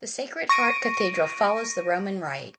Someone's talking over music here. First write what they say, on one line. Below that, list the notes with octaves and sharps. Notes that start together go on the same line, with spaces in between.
The Sacred Heart Cathedral follows the Roman rite.
C#6 A#6 D7 D#7